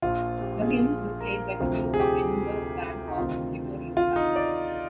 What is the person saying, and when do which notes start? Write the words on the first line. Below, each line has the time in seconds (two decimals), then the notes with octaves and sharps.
The hymn was played by the Duke of Edinburgh's Band, of Vittoriosa.
0.02 A#1 A#2 F3 F4
0.42 G4
0.62 G#4
1.20 A#4
1.60 D2 C3 F3
1.94 G#4
1.99 G4
3.08 D#4
3.18 D2 C3 D#3 F4
3.97 F4
4.16 D#4
4.36 D5